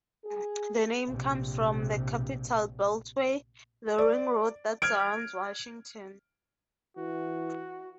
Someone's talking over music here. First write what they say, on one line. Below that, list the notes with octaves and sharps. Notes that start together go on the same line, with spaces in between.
The name comes from the Capital Beltway, the ring road that surrounds Washington.
G#4
A#1 C3
D5
F6 G#6 D7
E3 F#4